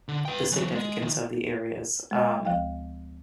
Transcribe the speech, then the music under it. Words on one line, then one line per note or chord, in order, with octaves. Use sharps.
the significance of the areas. Um,
D3
B4 G5
E3 F#3
G#3
D#3 F3
G#3 D#5
D2 F3 F5 G5